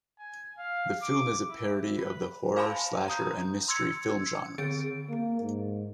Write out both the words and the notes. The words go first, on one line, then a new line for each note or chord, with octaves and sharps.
The film is a parody of the horror, slasher, and mystery film genres.
G#5
F5
D6
E4
B4
C5 F5 G#5 A5 B5 C6
A#5 D#6 G6
C6 E6 G#6 C#7
D3 C4 G#4 A6 D7
A#3
G#2